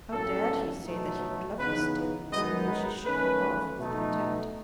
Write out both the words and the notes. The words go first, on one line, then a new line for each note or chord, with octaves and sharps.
How dared he say that he would love her still, even though she shook him off with contempt?
A2 F#3 C#4 A4
B2 F#3 A3 D#4
C#3 E3 B3 D#4 B4
F#2 D#3 G#3 B3 D#4 D#5
B4
D#3 A3 C#4 B4
B2 A3 D#4